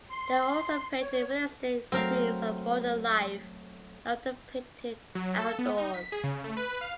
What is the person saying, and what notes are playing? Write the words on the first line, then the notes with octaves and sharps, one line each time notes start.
They also painted realistic scenes of modern life, and often painted outdoors.
C6
C#5
F#3 A3 C4 A#4 F5
F#3
A4
B3
D#4
B6
G#4
C#3
A3
B4
F5